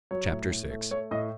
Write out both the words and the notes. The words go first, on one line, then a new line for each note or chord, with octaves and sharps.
Chapter VI.
F#3 C#5
A2
A2
A3
A3 C#5
A2 D#5